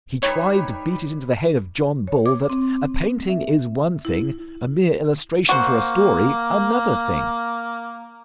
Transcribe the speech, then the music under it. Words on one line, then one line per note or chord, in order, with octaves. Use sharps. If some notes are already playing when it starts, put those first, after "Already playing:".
He tried to beat it into the head of John Bull that a painting is one thing, a mere illustration for a story another thing.
G3 D#4 B4 C#5
C#5
D6
C4
E5
E4
A#3 F#4 C5